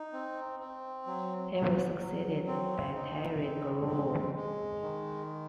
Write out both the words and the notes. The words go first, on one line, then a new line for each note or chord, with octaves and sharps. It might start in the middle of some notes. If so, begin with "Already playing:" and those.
He was succeeded by Terry Groom.
Already playing: D#4
C4
C4
F#3
F#3
F#3
C4
D#4
C4
G#3
G#3
D#3